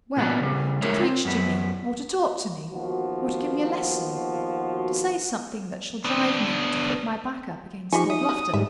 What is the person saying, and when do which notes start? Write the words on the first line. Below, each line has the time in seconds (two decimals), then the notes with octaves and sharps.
"Well, to preach to me, or to talk to me, or to give me a lesson; to say something that shall drive me to put my back up against Lord Lufton?"
0.17 A#2 B3 D4
0.40 C#3 G3
0.82 G#3 A3 A#4 C#5
1.02 C4
1.25 F#2 B3
2.71 D#2 B2 F3 F#4
6.05 B3 D4
7.93 F3 D#4 G4 D#5 G#5 C#6
8.10 E5 D#6
8.29 G3 F#4
8.54 G#2 G3 E5